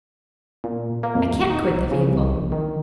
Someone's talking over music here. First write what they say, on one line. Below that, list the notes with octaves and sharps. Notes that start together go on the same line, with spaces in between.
"I can't quit the vehicle."
A#2
A#3
F2
D#1
D#4
B1
C#3
C2
A#1
D#3